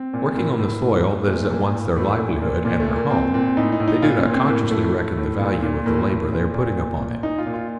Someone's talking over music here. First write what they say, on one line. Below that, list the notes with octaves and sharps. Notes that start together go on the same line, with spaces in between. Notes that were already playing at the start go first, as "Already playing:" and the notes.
Working on the soil that is at once their livelihood and their home, they do not consciously reckon the value of the labor they are putting upon it.
Already playing: C4
A#2
A2 A#3
A2
A2
A2
A#2 A3
A#2 A#3
A2
A2 A3
A#2 A3
A#2 A#3
A#2 A#3
A3
A#2
A#3
A#2 C4
A#2 C4
A2 D#4
D#4
A2
D#4
A#2 F4
C#4
A#2
C4
A2 A#3
A2 A3
A2
A2
A#2
A#2
A2 A#3
A2
A#2
A#2
A#2
A#2
A#2 D#4
F4
A#2
F4